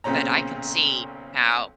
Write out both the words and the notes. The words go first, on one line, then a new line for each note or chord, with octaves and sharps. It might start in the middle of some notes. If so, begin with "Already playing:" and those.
But I can see how
B1 A#2 C#3 C4 C#4 A#5